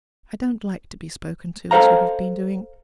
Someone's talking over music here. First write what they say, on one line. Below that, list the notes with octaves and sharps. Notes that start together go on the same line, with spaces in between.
I don't like to be spoken to as you have been doing.
A4 A#4 C5 F5 A#5